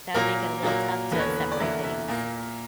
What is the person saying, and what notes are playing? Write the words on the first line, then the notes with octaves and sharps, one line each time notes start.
that would make it a little tough to separate things.
A#2 F#3 A#3 A#4
A#2 F#3 A#3
E2 D3 A#3 B4
C#5
B4
B4
D5
E2 D3 A#3 E5
E5
A#2 A#3